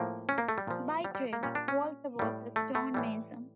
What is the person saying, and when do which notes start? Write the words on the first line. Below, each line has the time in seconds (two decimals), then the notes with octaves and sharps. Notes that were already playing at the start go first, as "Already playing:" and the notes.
By trade, Walter was a stonemason.
Already playing: A2 F3 A#3
0.29 C#4
0.38 A#3
0.49 A3
0.58 G3
0.67 A#2 F3
1.04 G3
1.15 G3
1.33 A#3
1.43 A#2 G3 C#4
1.55 D4
1.68 C#4
2.19 A2 G3
2.56 A3
2.75 A3
2.94 A2 E3 G3